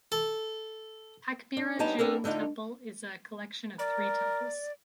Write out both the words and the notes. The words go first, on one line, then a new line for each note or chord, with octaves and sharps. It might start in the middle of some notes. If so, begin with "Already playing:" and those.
Pakbirra Jain temple is a collection of three temples.
A4
D4
G3 B3 C#4 D#4 A5 A#5
B3 C4 D4 A4 A#4
D3 A3 D4 D#4 F4
A#4 D5